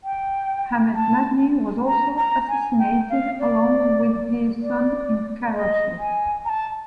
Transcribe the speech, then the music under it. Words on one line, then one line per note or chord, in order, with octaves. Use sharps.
Ahmed Madni was also assassinated, along with his son, in Karachi.
G5
A5
A#5
A#5
G#5
G5
F5
D5
D5
D#5
G#5
A#5
A5